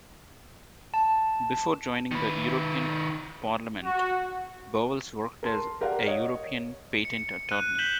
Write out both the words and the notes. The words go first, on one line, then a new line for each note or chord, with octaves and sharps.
Before joining the European Parliament Bowles worked as a European patent attorney.
A5
D#3 B4
F#4
A#4 A5 C6
G4 A#4 D5 F5 F#5
C#5 D#5
C#7
F#6 D#7
F#6 G6 B6 E7 F#7 G7